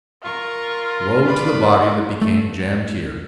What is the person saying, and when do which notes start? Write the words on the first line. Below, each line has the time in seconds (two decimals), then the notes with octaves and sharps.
Woe to the body that became jammed here!
0.23 F4 A#4 C#6
1.24 B4 D5 B5
2.22 A3